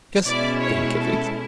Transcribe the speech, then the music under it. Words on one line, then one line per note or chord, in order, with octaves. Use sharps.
Just think of it!
B2 G#3 C#4 E4 D5
C#5
A4